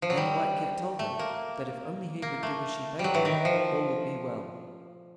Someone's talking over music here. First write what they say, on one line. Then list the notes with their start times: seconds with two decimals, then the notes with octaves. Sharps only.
Then the White Cat told him that if only he would do as she bade him all would be well.
0.02 F3
0.10 F#3
0.17 G3
0.99 A3
1.19 A#3
2.22 A#3
2.43 A3
2.99 G3
3.04 F#3
3.15 E3
3.25 D#3
3.45 F3